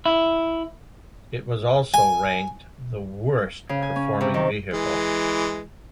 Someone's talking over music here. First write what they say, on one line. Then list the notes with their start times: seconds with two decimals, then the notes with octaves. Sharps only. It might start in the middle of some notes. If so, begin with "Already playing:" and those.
It was also ranked the "Worst Performing Vehicle".
0.06 E4
1.94 G#5
3.69 C#3
3.82 G#5
3.96 C#4
4.21 C3
4.34 D#3
4.73 E3 G#3